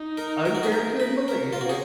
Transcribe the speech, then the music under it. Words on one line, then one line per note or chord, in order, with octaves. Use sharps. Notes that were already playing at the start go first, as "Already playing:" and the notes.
unfair to Malaysia,
Already playing: D#4
A#4
A#4
F#4
G#4
A#4
B4
A#4
F4
F#4
G#4